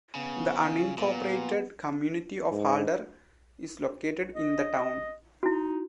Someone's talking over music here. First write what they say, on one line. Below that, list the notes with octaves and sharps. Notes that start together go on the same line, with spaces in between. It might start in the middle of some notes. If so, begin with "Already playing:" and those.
The unincorporated community of Halder is located in the town.
C#3 B3
A#2 B3
G#2
D#5
D#4 E4 F#4